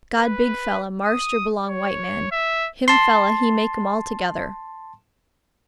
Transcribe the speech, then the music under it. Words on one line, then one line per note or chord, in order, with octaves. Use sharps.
God big fella marster belong white man, him fella He make ’m altogether.
B4
D#6
C#5
E5
A5 C6